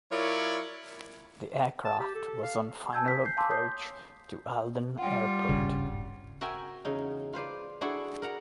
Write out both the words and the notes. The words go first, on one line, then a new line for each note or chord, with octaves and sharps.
The aircraft was on final approach to Aldan Airport.
F#3 E4 F4 A#4 C#5 D5
A5
G4
A4
F5
G#5 A5 E6 G6 G#6
B6
G6 C7
F5 G#5 A5 C6 D6 E6
C#5 A5 D#6 G6 C7
G3 F4 F#5 G5
D#1 G#1 G2 C#3
F#4 A#4 E5 G5 G#5
E2 C#3 D#4
F4 B4 C5 D5
D4 E4 F#4 G#4 A4 D5
A#4 F#5 A#5